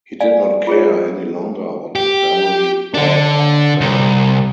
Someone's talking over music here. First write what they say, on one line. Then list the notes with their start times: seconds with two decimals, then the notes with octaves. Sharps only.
He did not care any longer what the family thought or felt.
0.21 D5 F5 G#5
0.67 F4 G#4 B4 C#5
1.96 G4
2.94 D3 D4
3.81 C2